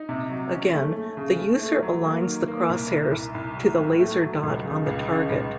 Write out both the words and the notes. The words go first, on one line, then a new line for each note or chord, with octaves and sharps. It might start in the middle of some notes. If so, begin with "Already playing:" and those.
Again, the user aligns the crosshairs to the laser dot on the target.
Already playing: D#4
C3
F#3
C#4
A3
A3
C#3
A3
A3
F#3
A#3
D#3
A#3
C2
C2
C2
C2
F#3
A2
A3
F#3
C#2
C#3
C#2
C#3
C#2